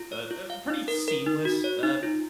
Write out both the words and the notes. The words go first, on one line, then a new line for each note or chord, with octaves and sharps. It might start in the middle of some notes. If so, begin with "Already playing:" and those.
But, um, pretty seamless, um,
Already playing: F4
C#5
F4
F5
D#4
A#4
A#4
D#4
F#4
C#5
D#4
F4